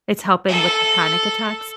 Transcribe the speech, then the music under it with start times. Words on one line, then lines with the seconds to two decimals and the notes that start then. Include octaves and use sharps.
It's helping with the panic attacks?
0.48 A4